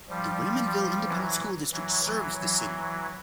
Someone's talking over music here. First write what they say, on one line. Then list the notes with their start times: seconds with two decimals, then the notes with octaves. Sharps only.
The Raymondville Independent School District serves the city.
0.09 F3 G3
1.08 E3 F#3
1.72 E3 F#3
2.04 E3 F#3
2.37 E3 F#3